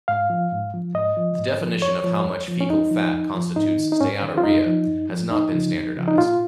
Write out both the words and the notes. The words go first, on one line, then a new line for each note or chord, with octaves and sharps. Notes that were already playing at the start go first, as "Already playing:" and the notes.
The definition of how much fecal fat constitutes steatorrhea has not been standardized.
G#2 F5
F3
G#2
F3
G#2 D#5
F3
G#2
F3
F2 C#5
F3
F2
F3
C#4
F2 D#4
F3
F2
F3
G#2 D#4
D#3
D#4
G#2 C#4
D#3
F4
F#2 D#4
F3
F#2
F3
F2 D#4
C#3 F3
F2
C#3 F3
D#4
A#2 F4